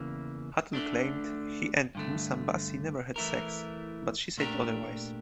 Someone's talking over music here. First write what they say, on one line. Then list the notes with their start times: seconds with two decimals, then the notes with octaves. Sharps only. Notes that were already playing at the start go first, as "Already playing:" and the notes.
Hutton claimed he and Musambasi never had sex, but she said otherwise.
Already playing: E2 C#3 E3 A#3
0.73 D2 D3 A3 D4
1.95 G2 D3 A3
3.16 E3 A3 E4 A#4
4.38 A#2 A3 D4 G4 A#4